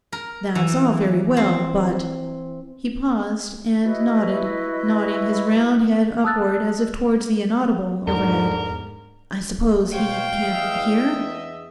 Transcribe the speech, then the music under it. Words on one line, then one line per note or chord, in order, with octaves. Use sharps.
That's all very well, but'--he paused, and nodded, nodding his round head upward as if towards the inaudible overhead, 'I suppose he can't HEAR?'
A#4
E3
C4
E4 F#4 B4 D#5
A5 D#6 E6 F#6 A6
E2 G#2 D3 A#4
B2 C5 C#5 F5 G5
E2 D#5 E5